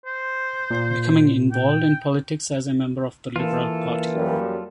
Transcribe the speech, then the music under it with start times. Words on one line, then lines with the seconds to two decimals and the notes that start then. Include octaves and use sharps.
Becoming involved in politics as a member of the Liberal Party.
0.06 C5
0.71 A#2
1.52 G5
3.36 E3 A#3 F4 A4
4.15 F#2 G3